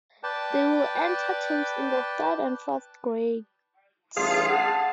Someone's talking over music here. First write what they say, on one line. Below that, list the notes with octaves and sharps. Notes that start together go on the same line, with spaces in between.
They would enter teams in the third and fourth grades.
B4 D5 G5 A5
A1 G2 F4 G#4 F5
F#5 A5